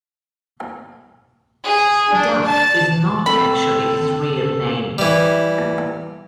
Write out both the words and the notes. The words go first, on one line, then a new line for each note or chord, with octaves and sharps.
Duck is not actually his real name.
G#4
D4
A5
C4 A4 B5
E3 G3